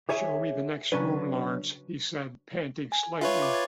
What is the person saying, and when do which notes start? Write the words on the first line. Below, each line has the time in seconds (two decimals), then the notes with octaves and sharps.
"Show me the next room, Lawrence," he said, panting slightly.
0.09 G4 G#4 C#5 E5 G#5
0.92 C#3 F#3 C#4 D4 B4
2.92 G#5
3.21 F4 B4 C#5 E5
3.42 D6
3.53 G#6 A6